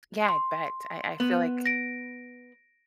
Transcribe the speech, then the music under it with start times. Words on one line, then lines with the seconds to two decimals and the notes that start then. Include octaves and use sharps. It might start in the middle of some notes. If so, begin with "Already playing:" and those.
Yeah, I bet, I I feel like
0.29 C6
1.20 B3
1.66 A#6 D7